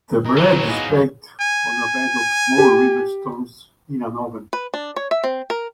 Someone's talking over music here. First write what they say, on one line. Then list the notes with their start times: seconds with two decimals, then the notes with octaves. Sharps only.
The bread is baked on a bed of small river stones in an oven.
0.25 B1 D#4 G#4 A#4
0.37 E3 F#3 C#5 D6
0.67 G#3 B3 D#4 F5
0.89 D#2 F#3 G#5
1.41 G#5
2.58 G4
4.53 B4
4.74 D4
4.96 C#5
5.11 E5
5.24 C4
5.50 A#4